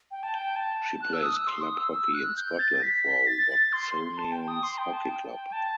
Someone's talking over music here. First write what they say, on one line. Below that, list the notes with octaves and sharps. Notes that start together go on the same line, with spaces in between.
She plays club hockey in Scotland for Watsonians Hockey Club.
G5
A5
G5
A5
F#6
E6
D#6
E6
C6
D#6
E6
E6
F#6
G6
A6
B6
A6
C6
C6
A5
G5
D#6
C6
G5
A5
G5
A5